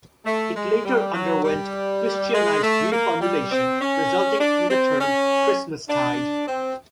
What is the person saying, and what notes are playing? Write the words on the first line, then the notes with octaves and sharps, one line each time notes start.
It later underwent Christianised reformulation resulting in the term Christmastide.
A3
G#3
G3
F#3
G3
G#3
A3
A#3
G3
C4
C#4
D4
C4
C#4
D4
C4